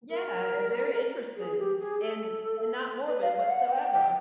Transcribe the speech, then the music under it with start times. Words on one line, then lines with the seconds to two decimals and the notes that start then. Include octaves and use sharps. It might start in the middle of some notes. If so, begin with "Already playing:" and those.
Yeah, and very interesting and and not morbid whatsoever.
0.10 A#4
1.36 G#4
1.58 G4
1.80 G#4
2.00 A4
3.07 B4
3.21 F5
3.36 F5
3.49 F#5
3.67 F#5
3.72 G5
3.93 G5